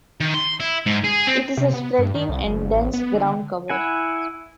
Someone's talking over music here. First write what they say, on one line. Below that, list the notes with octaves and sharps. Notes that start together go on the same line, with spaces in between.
It is a spreading and dense ground cover.
D#3
C6
E4
G#2
G#4
C4
C3
B3
G2
D#3
C2
F#1
A1
B3
D3
E4 F#5 G#5